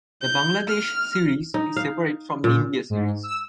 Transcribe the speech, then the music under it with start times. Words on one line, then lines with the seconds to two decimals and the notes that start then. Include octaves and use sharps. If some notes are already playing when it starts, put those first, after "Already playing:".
The Bangladesh series is separate from the India series.
0.22 G6
0.68 F6
1.54 D#4
1.76 F5
2.44 A#2
2.90 G#2
3.23 E6